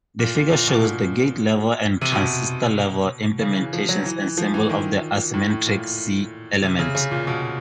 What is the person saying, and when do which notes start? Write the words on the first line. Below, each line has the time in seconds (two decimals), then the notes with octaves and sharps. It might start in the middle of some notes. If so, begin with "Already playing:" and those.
The figure shows the gate-level and transistor-level implementations and symbol of the asymmentric C-element.
0.19 A#2
0.35 A#2
0.51 A#2
0.67 B2
0.83 A#2
2.01 C3
2.12 B2
3.41 C#3
3.57 E3
3.73 F3
3.89 F#3
4.05 E3
4.21 E3
4.37 F3
4.54 E3
4.69 D#3
5.34 A2
5.50 A2
5.67 A#2
6.63 C3
6.79 C#3
6.95 C#3
7.11 A#2
7.27 B2